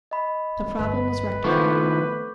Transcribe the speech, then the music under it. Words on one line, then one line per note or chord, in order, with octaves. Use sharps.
The problem was rectified.
D#5 B5
G1 B4
D#3 F3 A3 B3 C4 C#6 D6 G6